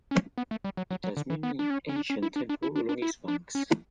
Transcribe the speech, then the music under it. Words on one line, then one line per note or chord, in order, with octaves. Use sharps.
It has many ancient temples along its banks.
C#4
B3
A3
G3
F#3
F#3
F#3
D3
E3
B3
D4
C#4
C#4
D4
C#4
E4
D4
D4
E4
D4
D4
E4
D4
C#4